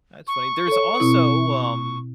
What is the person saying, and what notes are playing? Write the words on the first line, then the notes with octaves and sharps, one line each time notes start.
That's funny. There's also, um
C#6
A4 C#5
B2 C4 E4